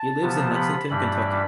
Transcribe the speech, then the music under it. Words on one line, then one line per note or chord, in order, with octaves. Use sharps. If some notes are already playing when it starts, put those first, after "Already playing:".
He lives in Lexington, Kentucky.
Already playing: A5
C3 F3 B3
B5
G2 E3 G3 D4 B5